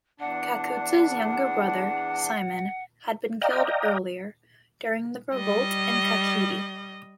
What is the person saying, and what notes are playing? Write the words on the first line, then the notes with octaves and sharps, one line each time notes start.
Kakutsa's younger brother, Simon, had been killed earlier, during the revolt in Kakheti.
E2 D4 F#5
D5 D#5 F5 G5 A#5
G3 D#5